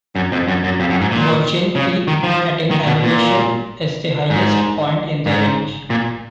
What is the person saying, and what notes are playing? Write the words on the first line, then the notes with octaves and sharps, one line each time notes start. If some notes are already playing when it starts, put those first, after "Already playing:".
Virgin Peak, at in elevation, is the highest point in the range.
F#2
F2
F#2
F#2
F2
F#2
G#2
A#2
C#3
D#3
F3
D#3
B2
A#2
G#2
G#2
A#2